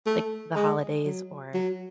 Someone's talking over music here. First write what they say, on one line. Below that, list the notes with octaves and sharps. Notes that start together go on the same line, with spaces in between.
like, the holidays or
A3
G#3
F#3
F#3